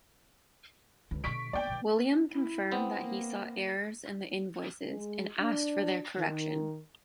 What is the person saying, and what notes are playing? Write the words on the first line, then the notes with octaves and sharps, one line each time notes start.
William confirmed that he saw errors in the invoices and asked for their correction.
C#2 D3
B2 D3 C#6 B6 D7
A#3 B3 D5 G5
B2 E3
E4
B3 C4
A#3
G#3
D4
D#3